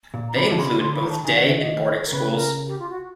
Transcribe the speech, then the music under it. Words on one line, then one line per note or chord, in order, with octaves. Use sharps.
They include both day and boarding schools.
A#2
A#5
C3 B5
D3 A5
C#3 C6
B5
D3 C6
B5
D#3
A5
D#3 G#5
F#5
E5
D#5
A#4
C#3 B4
A#4
G4
F4
F#4